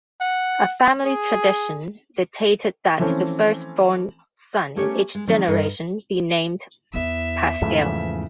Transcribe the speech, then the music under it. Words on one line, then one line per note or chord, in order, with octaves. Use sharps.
A family tradition dictated that the first-born son in each generation be named Pascual.
F#5
G#4
E3 F3 A3 C4 C#4
A3 C#4 G4 A#4 C#5
G#3
D#3 F3 F#3 C4
G2 A4 A#4 D#5
E2 B3 E4 E5
E2 G#2 C#3 E3 F3 A3 C#4